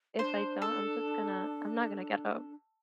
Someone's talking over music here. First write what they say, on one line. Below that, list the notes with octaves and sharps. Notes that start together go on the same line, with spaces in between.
if I don't, I'm just gonna I'm not gonna get up.
D4 C5
A4